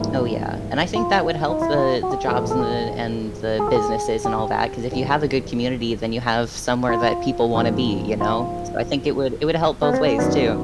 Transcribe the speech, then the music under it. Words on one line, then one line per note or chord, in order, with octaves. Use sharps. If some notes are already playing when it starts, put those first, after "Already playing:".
Oh, yeah, and I think that would help the the jobs and the and the businesses and all that 'cause if you have a good community, then you have somewhere that people wanna be, you know, I think it would it would help both ways too.
Already playing: G#2 E3 G3 A#3 E4
F4
D#4
E4
F4
F#4
G4
A2 F3 G#3 B3 A4
A4
G#4
G#4
A4
G#4
G4
G#2 E3 G3
F4
G#2 F3 A#3
F4
B3
C4
C#4
F#2 D#3 F#3 B3 D4